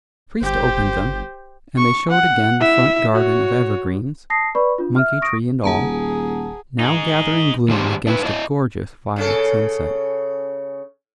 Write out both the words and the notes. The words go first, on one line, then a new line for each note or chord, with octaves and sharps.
The priest opened them, and they showed again the front garden of evergreens, monkey-tree and all, now gathering gloom against a gorgeous violet sunset.
G1 G4 C5
C#6
F#5
E4 E5
F#4 C#5
A5 D#6 A#6 C7
B4 D5 B5 C#6
D4 F4
E5 F6
C#6 D#6 A#6 D7
D#1 G#4 F#5 A5 A#5
D#4 G#4
F2 D#3 G#3 D4 G4 C5
D4 D#4 B4
E4 D5 D#5
C#3 C#4 A4